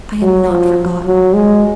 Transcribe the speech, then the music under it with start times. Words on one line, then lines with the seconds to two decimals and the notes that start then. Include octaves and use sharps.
I am not forgotten.
0.22 F#3
0.49 F3
1.06 F#3
1.34 G#3